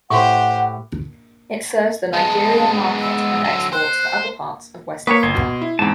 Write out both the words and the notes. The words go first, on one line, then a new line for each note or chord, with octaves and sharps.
It serves the Nigerian market and exports to other parts of West Africa.
A2 G4 C5 F#5 C6 C#6
G#3 B3 A5
E6
D3 F#3
C5 F#6
A#3 B4 C#5 C#6 D#6
G1 C6 G#6
B2
E4
E2 G#2 C4 A5